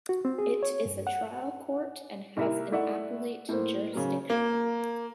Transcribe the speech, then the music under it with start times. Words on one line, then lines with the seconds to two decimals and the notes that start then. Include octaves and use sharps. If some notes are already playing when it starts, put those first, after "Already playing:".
It is a trial court and has an appellate jurisdiction.
0.09 F#4
0.25 C4
0.38 G#4
0.63 C#5
0.85 G2
1.07 F#5
2.37 C2 A#3 E4 A#4 E5
2.72 A3 E4 D5 E5 F#5
3.49 A2 A#3 C5
3.93 C#3 F#3 A#4
4.30 A#3